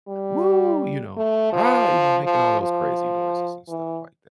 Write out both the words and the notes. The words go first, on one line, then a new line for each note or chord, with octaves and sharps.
"Woo!" you know, "Rah!" you know, making all those crazy noises and stuff like that.
G3
A3
F3
F3
F3
E3